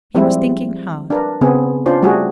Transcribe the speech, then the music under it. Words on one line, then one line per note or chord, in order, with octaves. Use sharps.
He was thinking hard.
F3 G3 G#3 C4 E4
D4 A#4 B4
C#3 B3 C4 G#4
C#4 D4 F4 C5
G3 A3 F#4 G#4